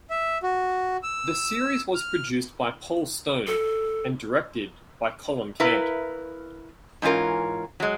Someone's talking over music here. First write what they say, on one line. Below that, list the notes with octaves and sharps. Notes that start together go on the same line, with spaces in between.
The series was produced by Paul Stone and directed by Colin Cant.
E5
F#4
E6
F6
A4
E4 A#4 B4 F5
G#2 E3 C#4 F4 A#4
F#3 G#3